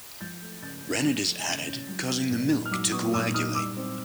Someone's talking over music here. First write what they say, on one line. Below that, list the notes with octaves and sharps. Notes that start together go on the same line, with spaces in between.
Rennet is added, causing the milk to coagulate.
F3 G6 A6
A3
C#3 G6 A6
C#4
F3
A3
C#3 G6 A6
C#4
F#3
B3
A#2
D#4
F6
F#3 D6 E6
B3 C#6 D#6
A#2 D6 E6
D#4 D#6 F6
G3 D6 E6
C4